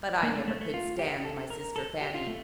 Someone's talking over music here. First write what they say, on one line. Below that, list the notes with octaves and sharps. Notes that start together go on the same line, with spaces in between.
But I never could stand my sister Fanny.
A#3
A3
A3
A3
F4
G4
A4
A#4
A4
G4
F4
A3